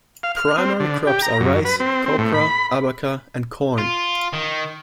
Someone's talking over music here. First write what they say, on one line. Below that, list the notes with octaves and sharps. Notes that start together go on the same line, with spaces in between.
Primary crops are rice, copra, abaca, and corn.
F5
F6
C4
D3
G4
A#5
F#2
B4
C4
C4
A2
B5
F4
D#3